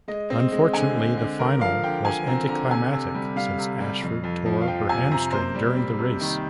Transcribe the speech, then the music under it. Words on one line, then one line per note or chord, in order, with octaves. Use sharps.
Unfortunately, the final was anticlimactic since Ashford tore her hamstring during the race.
G#3 D#5
C4 D#5
G#3 D#5
D3 G#5
G#3
D3
D3 A#4
F3 F5
D3 G5
D3 G#5
C4 A#5
D3 A#5
C3 G#5
C3
G3
G3 F5
C3
G3
F2
F2
F3
F5
F3 G5
C3 G#5
C3 A#5
A#3 C5
G3
G3
C3
D#3